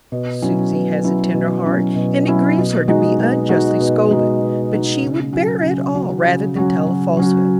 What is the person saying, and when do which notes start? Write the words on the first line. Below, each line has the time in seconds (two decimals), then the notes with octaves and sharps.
Susy has a tender heart, and it grieves her to be unjustly scolded; but she would bear it all rather than tell a falsehood.
0.12 B2
0.42 F#3 C#4 E4
0.73 B2
1.04 F#3 C#4 E4
1.34 B2
1.65 F#3 C#4 E4
1.95 B2
2.26 F#3 C#4 E4
2.58 B2
2.88 G#3 D#4 F#4
3.18 B2
3.49 G#3 D#4 F#4
3.80 B2
4.11 G#3 D#4 F#4
4.41 B2
4.72 G#3 D#4 F#4
5.02 C#3
5.33 F#3 C#4 F#4
5.64 C#3
5.94 F#3 C#4 F#4
6.25 C#3
6.56 F#3 C#4 F#4
6.87 C#3
7.17 F#3 C#4 F#4